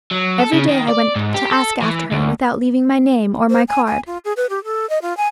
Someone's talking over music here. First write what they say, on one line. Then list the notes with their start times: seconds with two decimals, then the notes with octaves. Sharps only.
Every day I went to ask after her, without leaving my name or my card.
0.12 F#3
0.39 A4
0.52 C#3
0.69 D#3
0.89 D5
1.16 G#2
1.34 G4
1.51 A4
1.82 E3
2.12 D2
3.50 C5
3.68 G#5
3.88 G#5
4.07 F4
4.25 G#4
4.37 B4
4.50 G4
4.65 A4
4.90 D#5
5.02 F4
5.17 G#5